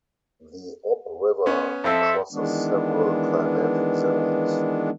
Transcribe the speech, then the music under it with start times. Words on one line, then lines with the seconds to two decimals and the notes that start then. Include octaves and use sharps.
The Ob River crosses several climatic zones.
1.46 B3 C#4
1.84 F2 F3 C4 A4 E5
2.32 D#3 E3 G#3 B3 D4